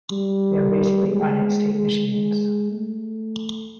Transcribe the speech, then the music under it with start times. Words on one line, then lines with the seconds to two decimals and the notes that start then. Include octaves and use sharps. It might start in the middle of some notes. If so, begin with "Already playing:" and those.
They are basically finite state machines.
0.12 G3
1.09 G#3
1.74 G#3
2.07 G#3
2.72 A3